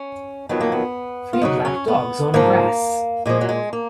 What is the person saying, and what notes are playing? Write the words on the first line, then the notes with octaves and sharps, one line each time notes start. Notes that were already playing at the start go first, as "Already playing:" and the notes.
Three black dogs on grass.
Already playing: C#4
F2 D#3 F#3 B3
A#3
B3
F4
F#2 C#3 F#3 D#4
C#4
B3
G#2 F3 A#3
A#2 F3 G#3
F#3
G#3
A#3